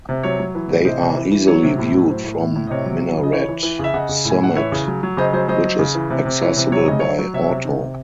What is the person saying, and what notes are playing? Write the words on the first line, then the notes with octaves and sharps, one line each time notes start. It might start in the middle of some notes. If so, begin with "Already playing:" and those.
They are easily viewed from Minaret Summit, which is accessible by auto.
C3
F#3 C#5
F#3
E3
A2
C3 C5 D#5
C3
E3
E3
F#3 C#5
C3
A2
F#3
A2 C5
A2
A2
A2
D#5
C3 C#5
F#3
F#3
C#3
D#5
E3 C#5
E3
E3
C#3 E5
C#3 D#5 F#5
C#3
A2
G#5
A2 F#5
E3 C#5 E5
C#3
F#3
F#3
C#3 C5 D#5
F#3 C5 D#5
F#3 C5 D#5
F#3
C#3
E3
C3
C3
E3 C#5
C3
F#3 C#5
C#3 D#5
F#3 C#5
F#3
C3 C#5 E5
C3
D#3
C3